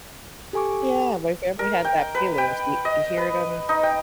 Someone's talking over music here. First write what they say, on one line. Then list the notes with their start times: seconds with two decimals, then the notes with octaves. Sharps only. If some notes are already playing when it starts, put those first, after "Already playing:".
Yeah, my family had that playlist, y you hear it on
0.53 G4 A4 G#5 C#6 D6
1.59 A#4
1.84 G5
2.15 B4
2.38 G5
2.85 D#5
3.17 B4
3.69 D#4
3.83 G5